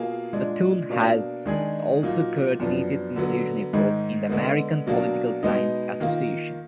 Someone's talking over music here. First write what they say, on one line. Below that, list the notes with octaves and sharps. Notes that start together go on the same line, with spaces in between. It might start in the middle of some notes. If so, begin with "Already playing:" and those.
Htun has also coordinated inclusion efforts in the American Political Science Association.
Already playing: B2 A#3 F4 G#4
A#2 G#3 D4
B2 A#3 D4
D#3 G#3 D4 G#4
A#2 F#3 A#3 D#4
F#2 F3 B3 D4
D3 F#3 B3
G#2 D#3 G#3
D3 G#3 B3
B2 F#3 A#3 D4
B2 G#3 B3 D#4
D#3 A#3 F4